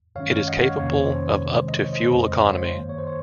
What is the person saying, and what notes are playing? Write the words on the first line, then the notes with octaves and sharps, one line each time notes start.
It is capable of up to fuel economy.
F#2 D#3 G#3 C#4 C#5 F5
C#5 F5
D#5 F#5
C#5 F5
F2 C3 D#3 A#3 C#4 C#5
C5
C3 D#3 G#3 C4
D#5
C#5
C5 D#5
F2 C#3 F3 G#3 C4
C#5 F5
C5
F#2 D#3 A#3
C#5
C5
C#5